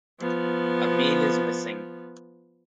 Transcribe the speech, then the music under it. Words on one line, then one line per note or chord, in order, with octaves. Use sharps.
A meal is missing.
F3 B3